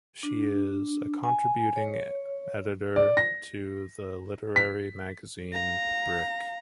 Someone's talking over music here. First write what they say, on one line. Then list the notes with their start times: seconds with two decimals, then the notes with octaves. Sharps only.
She is a contributing editor to the literary magazine "Brick".
0.23 D4
1.23 G#5
1.76 C#5
2.96 D5
3.17 A#6
4.56 B6
5.53 F5 A#5